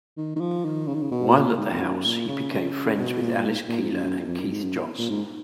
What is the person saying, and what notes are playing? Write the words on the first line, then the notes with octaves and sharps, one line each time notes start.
While at the house, he became friends with Alice Keeler and Keith Johnson.
D#3
D#3
F3
D#3
C#3
D#3
C#3
B2
A#2
A#2
G#2
F2
F#2
A#2
C#3
C#3
B2
A#2
A#2
G#2
A#2
G#2
F#2
F#2
F2
F#2
G#2
F#2
A#2
G#2